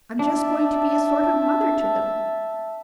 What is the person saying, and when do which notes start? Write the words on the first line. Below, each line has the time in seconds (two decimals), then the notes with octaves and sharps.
I'm just going to be a sort of mother to them.
0.19 D4 E5 A5